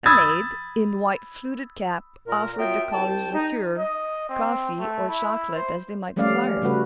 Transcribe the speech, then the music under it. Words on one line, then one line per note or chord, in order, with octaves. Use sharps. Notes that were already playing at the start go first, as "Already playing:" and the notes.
A maid, in white fluted cap, offered the callers liqueur, coffee, or chocolate, as they might desire.
B5 D#6 E6 G#6 A6
A#2 A#4
A#2 F#3 B3 F4 E5 G5
C2 G5 A5
D#4
D#5
C4
A3
E4
C5
F3 G3 A3 C#4 D5 F5
C#3 G3 A3 F#4 B4